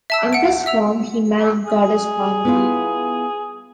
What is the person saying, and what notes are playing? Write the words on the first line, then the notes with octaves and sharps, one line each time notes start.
In this form he married goddess Parvati.
E5 A5 E6
F#5 D7
E5 E6 F7
G#4
B3 E4 F4